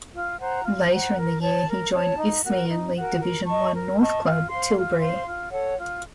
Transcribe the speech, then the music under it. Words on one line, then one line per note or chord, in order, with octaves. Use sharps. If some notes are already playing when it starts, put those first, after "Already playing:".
Later in the year, he joined Isthmian League Division One North club, Tilbury.
F4
C5 F#5 A#5
F4
C5 F#5 A#5
A#4
C#5 A5
A#4
C#5 A5
D#4
F#4 A#4
D#4
F#4
A#4
A#4
D#5 A5 C#6
A#4
D#5 A5 C#6
F4
C5 F5 C6
F4
C5 F5 C6
F4
A4 C#5 F#5
F4